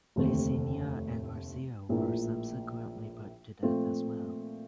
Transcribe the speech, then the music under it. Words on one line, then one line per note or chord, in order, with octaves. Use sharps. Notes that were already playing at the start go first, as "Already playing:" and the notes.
Licinia and Marcia were subsequently put to death as well.
F1 D#2 D3 A3 C4
A#1 A2 F3 A#3
A#2 F3 A3 C4 F4